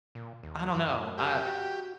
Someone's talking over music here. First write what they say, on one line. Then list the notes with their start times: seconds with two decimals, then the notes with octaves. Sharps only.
I don't know. I
0.15 A#2
0.43 D#2
0.75 F#2
1.18 G4
1.46 F#4